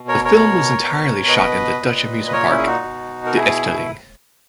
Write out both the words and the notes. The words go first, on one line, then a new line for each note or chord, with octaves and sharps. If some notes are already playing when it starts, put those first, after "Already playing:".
The film was entirely shot in the Dutch amusement park De Efteling.
Already playing: B2
A#4 C#5
A#4 C#5
B2
B4 D#5
A#2
B4
A#4 C#5
C#4 E4
G#4
D#4 F#4
B2
A#4
E4 G#4